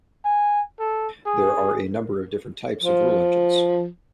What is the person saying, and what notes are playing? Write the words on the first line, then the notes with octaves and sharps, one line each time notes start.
There are a number of different types of rule engines.
G#5
A4
G#4
F3